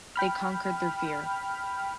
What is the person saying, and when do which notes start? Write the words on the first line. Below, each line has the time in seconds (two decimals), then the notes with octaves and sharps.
They conquered their fear.
0.16 G5 B5 F6